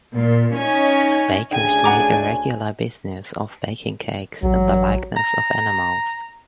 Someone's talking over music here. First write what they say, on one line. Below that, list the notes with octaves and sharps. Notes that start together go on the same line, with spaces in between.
Bakers made a regular business of baking cakes in the likeness of animals.
A#2 F4
C#4 D#4 C#5 G#5
D2 C#3 D4 G5 G#5
F#5 A#5 D6
A1 F#3
A#5